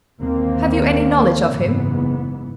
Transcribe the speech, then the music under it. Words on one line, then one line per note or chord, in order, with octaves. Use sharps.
"Have you any knowledge of him?"
G1 D#2 A#3 C4
F#1 G#2 E3 B3